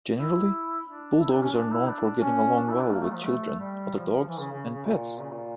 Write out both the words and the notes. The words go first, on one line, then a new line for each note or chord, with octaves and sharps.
Generally, Bulldogs are known for getting along well with children, other dogs, and pets.
E4
D4
E4
D4
C#4
D4
E4
D4
C#4
D4
E4
D4
A#3
A3
F3
A3
G3
F3
E3
C#3
C#3
C#3
A#2
C#3
A#2